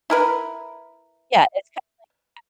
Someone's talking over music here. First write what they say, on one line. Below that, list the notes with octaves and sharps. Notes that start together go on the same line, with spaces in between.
yeah, it's kinda like that
E4 A#4 B4